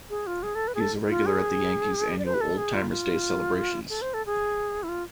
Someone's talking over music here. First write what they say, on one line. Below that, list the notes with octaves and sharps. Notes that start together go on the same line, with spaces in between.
He is a regular at the Yankees' annual Old-Timers' Day celebrations.
G#4
F4
G#4
A4
B4
G#4
A4
F4
G#4
D5
C5
B4
A4
G#4
F4
F4
A4
C5
A4
G#4
E4
F4